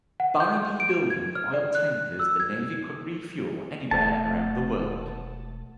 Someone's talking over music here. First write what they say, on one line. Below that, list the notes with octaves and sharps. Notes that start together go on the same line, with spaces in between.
By be building oil tankers the Navy could refuel anywhere around the world.
F#5
G6
D7
G#6
F6
D5
F#6
E6
G#6
E1 A3 F#5 A5